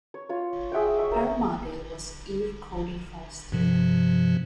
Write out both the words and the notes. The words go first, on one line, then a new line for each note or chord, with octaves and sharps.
Her mother was Eve Cody Foster.
C#5
F4 C#5
G#4 E5 F#5 G5
E5 C#6
A#4 G5 A#5
G2 C3 F3